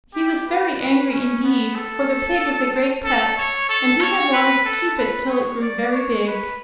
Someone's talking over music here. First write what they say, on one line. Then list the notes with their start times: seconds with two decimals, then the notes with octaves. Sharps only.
He was very angry, indeed, for the pig was a great pet, and he had wanted to keep it till it grew very big.
0.14 G4
0.47 B4
0.78 B4
1.11 C#4
1.43 B3
1.76 A4
3.04 A4
3.37 C#5
3.69 A4
4.01 C#5
4.33 B4
4.65 A4
4.98 B4
5.29 C#5
5.62 D5
5.93 C#5
6.27 B4